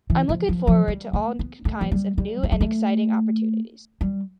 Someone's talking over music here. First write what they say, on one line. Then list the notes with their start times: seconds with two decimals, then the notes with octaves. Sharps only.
I'm looking forward to all kinds of new and exciting opportunities.
0.10 E3
0.29 F3
0.49 F3
0.67 F3
0.88 G3
1.13 A3
1.39 B3
1.65 A3
1.81 F3
1.92 G3
2.18 G3
2.43 A3
2.52 G3
2.61 A3
4.01 G3